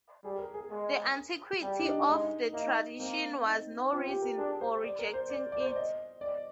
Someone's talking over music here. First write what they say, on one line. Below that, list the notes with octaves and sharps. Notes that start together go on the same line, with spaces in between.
The antiquity of the tradition was no reason for rejecting it.
G3 G#4
A#4
G#4
G#3
G3 G4
D4
D#4
G#3 D#4
A#3 D#4
A#3 C4
D#4
C4 F4
G4
A#4
D4 G#4
C5
D5
A#4
C5
D5
D5
C5
D5
D#5
D5